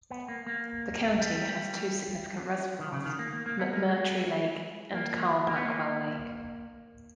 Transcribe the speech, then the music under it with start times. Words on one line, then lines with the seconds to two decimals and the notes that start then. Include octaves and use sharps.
The county has two significant reservoirs: McMurtry Lake and Carl Blackwell Lake.
0.11 B3
0.28 A#3
0.47 A#3
1.18 G3
2.79 D#3
2.92 C#3
3.06 D#3
3.19 A#3
3.33 A#3
3.46 A#3
3.60 B3
3.73 A#3
3.86 G#3
4.94 A#3
5.47 A#3
5.56 B3
5.65 A#3